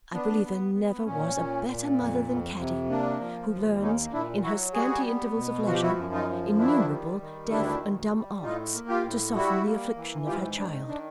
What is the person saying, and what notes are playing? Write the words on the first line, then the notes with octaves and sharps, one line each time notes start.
I believe there never was a better mother than Caddy, who learns, in her scanty intervals of leisure, innumerable deaf and dumb arts to soften the affliction of her child.
B3 D4
B3
B3
A#2 C#4
A#2
A#2
F2
F2
C3
A#3 D4
F3
D#2
A#3 C#4 D#4
A#2 D4 E4
F#3 E4 F#4
G3 F#4 G#4
B3
B2
F3 F#4
G4
E4 F#4
F#2
D#4 F4
F3
D#3 D4 E4
G3
D#3
D2 D4 E4
D2
G3
A2 D#4 F4
A#3
F4 G4
A2
G3 E4 F#4
A#3
E3
G#2 F4 G4
D#3 D4
D4